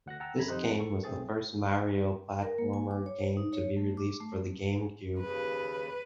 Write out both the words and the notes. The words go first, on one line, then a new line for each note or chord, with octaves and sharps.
This game was the first "Mario" platformer game to be released for the GameCube.
D2 F#5 F#6 A#6
F#5 G5 A5 A#5 E6
F#2 A4 A#5 B5 G#6
F2 C4 D#4 G4 C5 F#6
A4 C#6
B1 A3 C4 G#4 A6
A#4
A#3
G#5
D6
C#5
C5
D#4
C#5
A3
D6
A3
D#2 C#3 B4